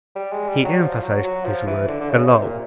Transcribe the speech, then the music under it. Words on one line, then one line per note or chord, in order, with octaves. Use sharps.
He emphasized this word "alone."
G3
G#3
G3
F#3
F3
F#3
F#3
F3
E3
D3
D3
C#3
C3
A#2